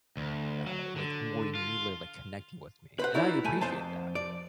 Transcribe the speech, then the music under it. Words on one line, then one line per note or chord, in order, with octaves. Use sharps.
uh, like, more immediately, like, connecting with me, and I appreciate that,
D2
F#3
D3
F4
B4 C5 F#5
D#4 E4 F#4 C#5 D5
A3 G#5
F2 C5 A5
D5